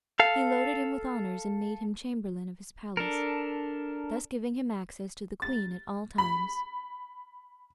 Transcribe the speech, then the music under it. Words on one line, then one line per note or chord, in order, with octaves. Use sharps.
He loaded him with honors, and made him chamberlain of his palace, thus giving him access to the queen at all times.
A4 F5
D4 A4 A#4
A6
B5